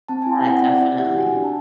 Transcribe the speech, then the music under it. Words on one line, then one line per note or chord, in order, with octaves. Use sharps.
Yeah, definitely.
C4 A5
E4 G#5
G5
C4 F#5
C4 D5
E4 E5
G4 F#5
F#4 G#5
D4
A5